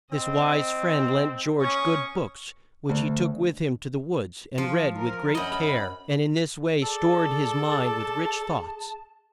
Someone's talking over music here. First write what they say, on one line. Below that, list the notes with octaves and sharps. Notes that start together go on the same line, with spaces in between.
This wise friend lent George good books which he took with him to the woods and read with great care, and in this way stored his mind with rich thoughts.
C4 D#5
C#4 C#6 D#6
D2
F3
A#4
F#2 D#5 B5
G#4 A4 D5 A5